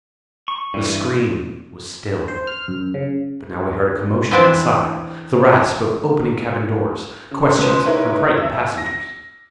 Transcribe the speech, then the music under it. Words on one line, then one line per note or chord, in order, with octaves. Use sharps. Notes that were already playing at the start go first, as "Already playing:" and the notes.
The scream was stilled, but now we heard a commotion inside--the rasp of opening cabin doors; questions from frightened passengers.
C#6
G2 E3
C5
F6
F#2
C#3
E3 B3 C4 D4
C#3
C#2 B2 B4 C5 C6 D#7
D#4 E4 A#4 B4 C#5
E5 E6
A#6